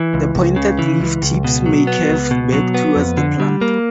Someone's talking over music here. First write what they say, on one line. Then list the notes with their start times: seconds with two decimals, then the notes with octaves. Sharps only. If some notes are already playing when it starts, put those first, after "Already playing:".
The pointed leaf tips may curve back towards the plant.
Already playing: E3
0.14 C#2
0.35 C#2
0.56 C#3
0.79 E3
1.00 C#2
1.22 C#2
1.44 B2
1.66 F#3
1.87 B3
2.09 C#2
2.31 B2
2.53 F#3
2.74 B3
2.96 F2
3.17 D3
3.40 G3
3.61 A#3